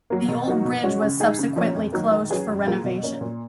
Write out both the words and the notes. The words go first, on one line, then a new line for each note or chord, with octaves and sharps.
The old bridge was subsequently closed for renovation.
F#3 A#3
B2
F#3 A#3 D#4 F#4
B2
G#3 C#4 F#4
C#3
G#3 D#4 G#4
C#3
F3 A#3 C#4
F2
D#3 F#3 A#3
D#3
F#3 C#4 G#4 B4
F#2
F3 A#3 F4 G#4
B2
A#3 C#4
A#2